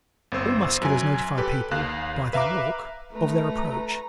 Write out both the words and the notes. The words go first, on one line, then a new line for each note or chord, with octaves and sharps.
All Musculars notify people, by their walk, of their approach.
G1 C4 C5 E6
F#2 G#5
G4 A4 B4
D#2 F5 F#6
B4 E5 F5 A#5 D6
A3 B4 A#5